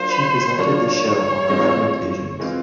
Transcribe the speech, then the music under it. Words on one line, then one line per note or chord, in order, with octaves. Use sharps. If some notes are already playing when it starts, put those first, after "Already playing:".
She presented the show on eleven occasions.
Already playing: F#3 A#3 D4 F4 C5
F#3 A#3 D4 F4 C#5
E3 G#3 C4 F4
E3 G#3 C4 F4